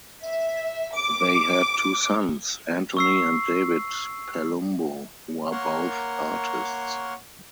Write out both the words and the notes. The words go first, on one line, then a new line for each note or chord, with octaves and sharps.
They had two sons, Anthony and David Palumbo, who are both artists.
E5
D6
C#6 E6 C7
A#3 A#4 C#5 F#5 C6 C#6